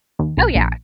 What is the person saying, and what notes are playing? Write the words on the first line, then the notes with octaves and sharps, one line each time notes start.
Oh, yeah.
D#2
B1
A#1